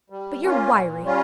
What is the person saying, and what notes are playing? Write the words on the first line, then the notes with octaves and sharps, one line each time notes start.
But you're wiry.
G3
A#3 C#4 F4
A#2
G3 C#4 F4